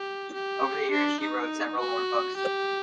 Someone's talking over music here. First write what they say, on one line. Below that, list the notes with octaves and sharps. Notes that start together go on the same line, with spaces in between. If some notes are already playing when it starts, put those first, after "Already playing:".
Over the years, she wrote several more books.
Already playing: G4
G4
D4
D#4
F#4
G4